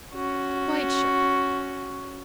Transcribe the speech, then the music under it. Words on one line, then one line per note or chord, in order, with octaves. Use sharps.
'Quite sure.
C#4 F#4